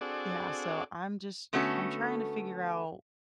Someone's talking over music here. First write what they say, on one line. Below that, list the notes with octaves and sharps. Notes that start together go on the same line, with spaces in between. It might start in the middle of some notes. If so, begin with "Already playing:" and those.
Yeah, so, I'm just I'm trying to figure out
C4 D4 F#4 G#4 A4 D5
D3 A3 B3 C#4 F#4 A4